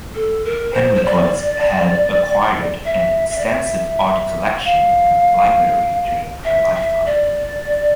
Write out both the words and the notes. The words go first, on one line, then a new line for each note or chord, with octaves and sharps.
Henriquez had acquired an extensive art collection and library during her lifetime.
A4
A#4
C5
C5
D5
E5
E5
D5
E5
F5
E5
E5
D5